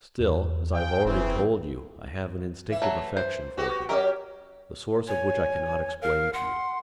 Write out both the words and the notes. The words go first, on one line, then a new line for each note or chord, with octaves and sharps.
Still, as I have already told you I have an instinctive affection for him, the source of which I cannot explain to you.
E2
G#4 F5 G5
F1 C#3 E3 C4
E3 E5
F#3 A3
C5
B3 F#4 G4
F#3 C#4 G4 A#4 D#5 E5
C#5 G#5
A#4 F5
F#5 C6